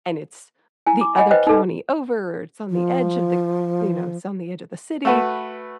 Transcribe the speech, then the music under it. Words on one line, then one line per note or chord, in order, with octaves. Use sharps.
and it's the other county over. It's on the edge of the you know, it's on the edge of the city."
E4 G#5
D6
D#5 F#5 G#5 B5
B4 C5 D#5 G5
D#4 A4
F3
A3 F#4 B4